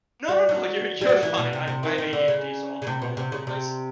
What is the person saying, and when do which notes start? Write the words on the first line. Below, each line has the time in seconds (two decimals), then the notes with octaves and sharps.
No, no, no, you're, you're fine, I I have ADHD, so I'll jump all over the place.
0.28 G3
0.49 F#3
1.01 G3
1.09 F#3
1.23 E3
1.38 B2
1.53 C3
1.68 C3
1.83 D#3
1.98 D#3
2.13 D3
2.28 C#3
2.82 C#3
2.87 C3
3.02 B2
3.17 C3
3.32 C#3
3.47 C3